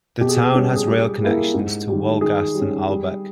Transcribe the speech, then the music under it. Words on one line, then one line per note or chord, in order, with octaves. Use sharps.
The town has rail connections to Wolgast and Ahlbeck.
B2 G4
G#4
G4
G3 C#4
G#4
G3 G4
A#3 E4 G#4
G#2
D#3 G3
D#3 G#4
G3
C#4
G3